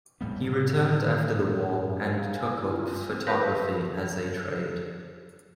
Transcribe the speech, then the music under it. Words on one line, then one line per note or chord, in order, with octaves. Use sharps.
He returned after the war and took up photography as a trade.
A2 G3 B3
F5
G#5
E4
F4
C4
G3
A#4 B4 F5 F#6 G6